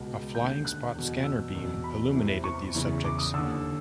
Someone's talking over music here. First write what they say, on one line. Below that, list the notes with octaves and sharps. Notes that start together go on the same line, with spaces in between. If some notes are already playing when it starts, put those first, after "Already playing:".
A flying-spot scanner beam illuminated these subjects.
Already playing: C#2 B2
D#2 D3 G6
F#6
E2 B2
E6
E2 B2
B5
E2 C3 E3
C#6
E2 C#3 E3
D6
D#6
D#2 D3 E6